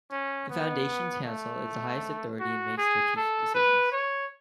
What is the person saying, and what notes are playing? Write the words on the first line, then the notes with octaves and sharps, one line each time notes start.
The Foundation Council is the highest authority and makes strategic decisions.
C#4
B3
A3
F#4
G#4
A4
B4
C#5